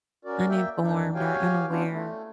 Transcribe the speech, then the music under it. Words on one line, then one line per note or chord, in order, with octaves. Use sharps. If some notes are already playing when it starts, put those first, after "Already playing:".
uninformed or unaware
C#4 F#4 A#4 D5
A#3 E5 G5
F2 D#3 D4 D#4
F#4 G4 C#5 F5 G5 G#5
B3 C#4 D4 E4 F4
A3